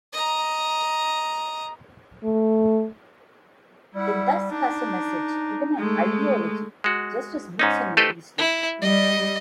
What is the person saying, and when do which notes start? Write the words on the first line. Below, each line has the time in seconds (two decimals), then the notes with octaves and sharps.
It thus has a message, even an "ideology," just as books and movies do.
0.13 D#5 A#5
2.24 A3
3.95 G3 E4 F#5
4.51 D4 D#4
5.77 G#3 A3
6.84 G#3 F#4
7.59 G#2 C#4 D#4
7.97 A3 G4 A4 B4 C5 D#5
8.38 E4
8.82 G3 D#5